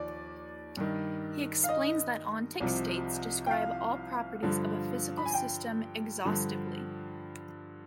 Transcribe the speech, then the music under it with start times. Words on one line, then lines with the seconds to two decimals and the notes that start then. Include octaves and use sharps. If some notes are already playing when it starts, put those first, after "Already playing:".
He explains that "ontic" states describe all properties of a physical system exhaustively.
Already playing: D#2 F3 D5
0.77 G2 D#3
1.64 F5
1.69 D#5
2.60 C2 C3 F3
3.46 G5
3.51 F5
4.43 G2 D3 F3
5.17 B5
5.26 G#5
5.34 G5
6.25 G2 D3 F3